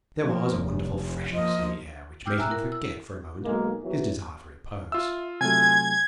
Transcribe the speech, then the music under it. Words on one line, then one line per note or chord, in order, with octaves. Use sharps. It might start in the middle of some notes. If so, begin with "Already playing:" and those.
There was a wonderful freshness in the air which made him forget for a moment his desire for repose.
F3 A#3
F1
F3 A#3 D#5
G5 D6 E6 F6 G6
E5 G#5 A#5 E6 F#6
E4 A#4
E6
B1 G#3 A#3
E2 E3 F#3
F4 E5 E6
C3 F#3 A3 G#5 G#6